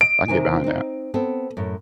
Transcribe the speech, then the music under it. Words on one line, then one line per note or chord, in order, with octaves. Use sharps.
I can get behind that."
D#5 D7
C3 D#3 G#5
C4 D#4
B3 C4 A4
F#2 A2